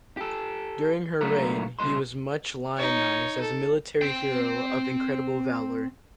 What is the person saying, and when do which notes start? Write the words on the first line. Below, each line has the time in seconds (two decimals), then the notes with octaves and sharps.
During her reign he was much lionized as a military hero of incredible valor.
0.17 G4 A4
1.21 C#2 F#3 A3 B3 D4 A#4
1.79 C2 B2 A#3 D#5 C6
2.78 D#4 C#5
3.41 A4
4.02 C4 G5